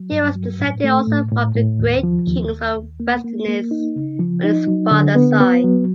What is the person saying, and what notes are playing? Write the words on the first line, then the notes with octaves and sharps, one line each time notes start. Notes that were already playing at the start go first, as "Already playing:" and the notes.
He was descended also from the great Kings of Westernesse on his father's side.
Already playing: F#3
G2
F#3
A2
A3
A2
A2
A2
D#2
F3
D#2
D#2
D#2
A#3
A#3
A#3
D#4
C#3
F3
D#4
F#3
D3
B3
B3
F#3